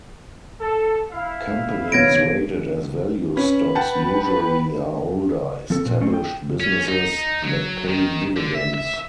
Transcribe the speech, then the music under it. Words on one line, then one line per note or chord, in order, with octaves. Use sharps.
Companies rated as value stocks usually are older, established businesses that pay dividends.
A4
E4 E5 F5
E1 B3 C#5 G#6 A#6 D7
C#4 B4
F#5 G5 A5
F3 C4 A4
A#2
A3 C4 C#4
G5
C#4
D#4
F#3
D#3
D3
E5
E5